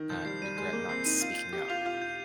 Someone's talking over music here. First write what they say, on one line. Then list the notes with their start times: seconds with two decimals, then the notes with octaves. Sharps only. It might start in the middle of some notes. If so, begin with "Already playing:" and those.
not regret not speaking up.
Already playing: D#3
0.10 F3 G6
0.25 G3 C7
0.41 G3 D#7
0.57 G#3 G6
0.73 A#3 G6
0.89 C4 C7
1.05 D#4 D#7
1.21 F4 G6
1.38 G6
1.52 G4 C#7
1.68 F4 F7
1.85 F4 G6
2.02 G6